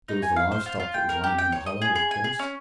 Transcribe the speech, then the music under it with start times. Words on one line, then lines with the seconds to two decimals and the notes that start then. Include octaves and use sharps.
There was the live stock that was running in the Hollow, of course.
0.08 D#4
0.23 G#5
0.36 F5
0.52 C5
0.66 F4
0.80 F4
0.94 G5
1.09 A#4
1.24 G4
1.38 G5
1.52 C#5
1.66 D#5
1.82 G#4
1.95 G#4
2.11 G#5
2.24 G#4
2.39 C#4